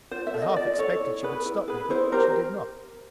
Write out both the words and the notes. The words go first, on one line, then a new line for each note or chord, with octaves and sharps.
I half expected she would stop me, but she did not.
F4 C5
E5
A4
D#5
F4 D5
A4 C#5
E4
G#4 B4
E4
G#4 B4
E4 C5
G4 A#4 C5